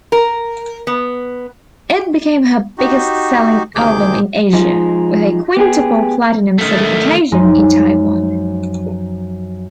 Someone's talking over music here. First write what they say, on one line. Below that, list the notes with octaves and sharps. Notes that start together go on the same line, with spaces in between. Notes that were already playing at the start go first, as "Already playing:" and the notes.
It became her biggest-selling album in Asia, with a quintuple platinum certification in Taiwan.
A#4
B3
D#4 F#4 G4
D2 C3 D#3 G#4 D6 G6
F3 G#3 D#4
B3 G4 G#4
D#3 A3
F#2 F3 G#3 D#4